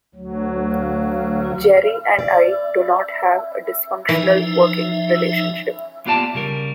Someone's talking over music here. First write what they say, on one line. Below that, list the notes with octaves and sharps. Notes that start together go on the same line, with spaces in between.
Jerry and I do not have a dysfunctional working relationship.
D2 F#3
D5
E3 F3 D#4 E5
A#3 B3 F4 G4 D5 A5
C#3 G3 A#4